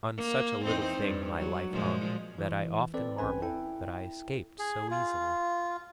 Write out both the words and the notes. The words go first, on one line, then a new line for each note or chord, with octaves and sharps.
On such a little thing my life hung that I often marvel that I escaped so easily.
A#3
E2 C4 D#4
G2
F#3
A#2 F3 G#3
E3
C4 A4 B4 D5
A1 C4 C#4 B4 G#5
E4 A4 G5
G#4
F4